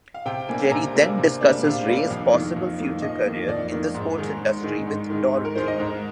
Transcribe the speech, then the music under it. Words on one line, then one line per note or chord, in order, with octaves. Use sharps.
Jerry then discusses Ray's possible future career in the sports industry with Dorothy.
F5
C3 G5
G3 A#3 D4 G#5
G#5
C3 A#5
G3 A#3 D4
C3
G3 A#3 D4
C3 F5
G3 A#3 D4
F2 F5
D#3 A#3
F2
D#3 A#3
F2 D#5
D#3 A#3
F2 D5
D#3 A#3
G#2
D#3 G#3 D#4
G#2
D#3 G#3 D#4
G#2
D#3 G#3 D#4
G#2
A#4
D#3 G#3 D#4 C5
D#5
G#2 A#4